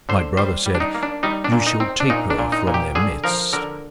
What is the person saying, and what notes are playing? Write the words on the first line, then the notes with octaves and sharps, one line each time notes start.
My brother said, 'You shall take her from their midst.
D3 C5
G3 C5
G3
D4
D#4
A#3
D4
G3 D#4
D4
A#2
D#4
C4
D4
A#2 D#4
D4
A#2
D#4
A#2
G4
D3 G#4
F3 A#4
D3 A#4